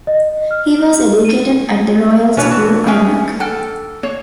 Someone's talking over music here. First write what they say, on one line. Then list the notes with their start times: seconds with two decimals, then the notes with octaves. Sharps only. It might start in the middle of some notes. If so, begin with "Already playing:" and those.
He was educated at The Royal School, Armagh.
0.07 D#5
0.51 F6
1.25 D#7
2.37 B2 E3 B3 C#4 D4 B4 C#5
2.51 F#4
2.87 A3 C#4 G#4 E5 G5
3.40 A4 F#5 G5 F6
4.03 A#3 C#5